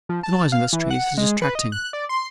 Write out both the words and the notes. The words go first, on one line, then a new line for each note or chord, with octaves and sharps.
The noise in the streets is distracting.
F3
A5
F5
E3
F#5
G#3
B4
D#5
F#6
D5
C6